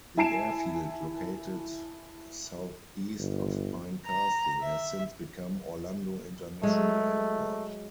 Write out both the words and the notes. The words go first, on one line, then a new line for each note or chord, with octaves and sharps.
The airfield, located southeast of Pine Castle, has since become Orlando International Airport.
E4 G#5 A5 C7 D7 E7
G1
A#5
E5
F#3 G#3 A3